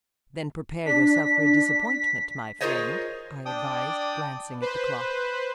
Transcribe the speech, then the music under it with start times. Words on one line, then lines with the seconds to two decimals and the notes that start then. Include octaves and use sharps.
"Then prepare yourself for a disappointment, my friend," I advised, glancing at the clock.
0.86 D4 B6
2.61 F4 G#4 A#4 C5 C#5 D#5
3.46 D4 D5 G5 D#6
4.61 B4 C5